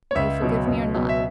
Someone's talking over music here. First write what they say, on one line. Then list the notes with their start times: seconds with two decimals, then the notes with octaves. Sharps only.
Do you forgive me or not?
0.11 C#5
0.15 C#2 E5
0.42 B2 F#3
0.68 C#2
0.95 B2 F#3
1.09 E5